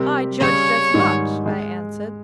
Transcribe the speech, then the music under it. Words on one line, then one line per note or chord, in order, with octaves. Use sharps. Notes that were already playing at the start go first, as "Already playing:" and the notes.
'I judged as much,' I answered.
Already playing: C3 G3 C4 G4 A#4
C#3 G3 C#4 G#4 C#5
G#2 D#3 G3
G#3